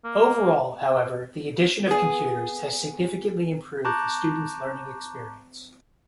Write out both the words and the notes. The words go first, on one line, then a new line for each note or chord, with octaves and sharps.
Overall, however, the addition of computers has significantly improved the student's learning experience.
A#3
B3 G#4
A5 A#5 C#6 D6 F#6 G6